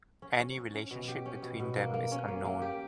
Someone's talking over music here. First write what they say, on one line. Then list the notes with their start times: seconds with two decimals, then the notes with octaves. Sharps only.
Any relationship between them is unknown.
0.22 C#4
0.40 C#4
0.57 C#4
0.74 C#4
0.91 B2
1.08 G4
1.25 C#4
1.42 B2
1.60 B2
1.76 A#3
1.94 A#3
2.11 C#4
2.28 A#3
2.45 A#3
2.62 G4